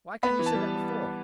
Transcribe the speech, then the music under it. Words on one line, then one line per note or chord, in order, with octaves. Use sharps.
Why couldn't you said that before?
B3 B5
E3
A5
G3